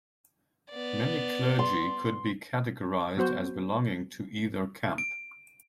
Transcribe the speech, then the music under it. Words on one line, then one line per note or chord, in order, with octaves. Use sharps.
Many clergy could be categorised as belonging to either camp.
B3 D5
C6
F#3 B3 F#4 C5
D7